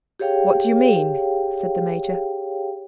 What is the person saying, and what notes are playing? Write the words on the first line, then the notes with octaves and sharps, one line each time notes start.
"What do you mean?" said the major.
G4 G#4 C#5 F5 G5